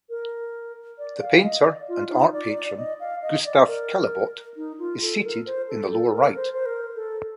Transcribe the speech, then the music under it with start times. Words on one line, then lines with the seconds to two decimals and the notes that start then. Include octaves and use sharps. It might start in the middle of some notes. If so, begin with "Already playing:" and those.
The painter and art patron, Gustave Caillebotte, is seated in the lower right.
0.10 A#4
0.98 D5
1.21 F5
1.43 D#5
1.66 D5
1.88 F4
2.11 D#4
2.33 D5
2.55 D5
2.78 D#5
3.00 F5
3.23 D#5
3.45 D5
3.67 A#4
4.57 D#4
4.79 F4
5.02 A4
5.24 A#4
5.46 C5
5.69 A4
5.91 A4
6.14 A#4
6.36 C5
6.53 C5
6.66 A#4
6.96 A4